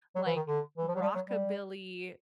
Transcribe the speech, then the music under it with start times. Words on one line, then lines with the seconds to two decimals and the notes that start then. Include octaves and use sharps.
like, rockabilly
0.16 F#3
0.26 E3
0.36 D#3
0.47 D3
0.78 E3
0.88 F3
0.96 F#3
1.01 G3
1.15 F#3
1.29 G3